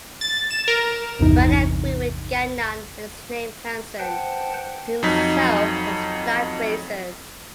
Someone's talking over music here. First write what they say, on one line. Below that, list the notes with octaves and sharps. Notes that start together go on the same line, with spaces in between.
Bradley agreed with Gagnon and his naming Hansen and himself as flag-raisers.
A6
E7
A#4
A1 E2 G2 C3 E3 D#4
B4 C5 F#5 G5 A5
F2 F#3 D#4 B6